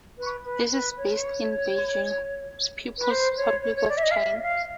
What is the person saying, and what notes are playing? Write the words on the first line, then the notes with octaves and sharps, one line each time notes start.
It is based in Beijing, People's Republic of China.
B4
B4
B4
C#5
B4
C5
C#5
C#5
C#5
D5
E5
D#5
F5
E5
F5